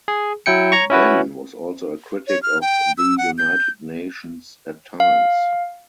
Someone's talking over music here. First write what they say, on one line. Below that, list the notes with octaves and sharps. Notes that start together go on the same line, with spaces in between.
Benn was also a critic of the United Nations at times.
G#4
F#3 E4 G5 C#7
C#5 A#5 C#6
C#4 E4 F#4 B4
C#5
F6
G5
E6
F#5
G6
F5